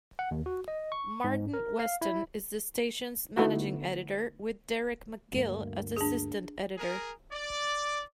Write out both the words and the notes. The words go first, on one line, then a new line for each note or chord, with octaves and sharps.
Martyn Weston is the station's managing editor with Derek McGill as assistant editor.
F#5
D#2
F#4
D#5
C#6
G#2
A#4
F5
E4
D3 A3 B3 D#4 E4 F#4
D2 G2 A#3
D4 G#4
G#4 A#4
D5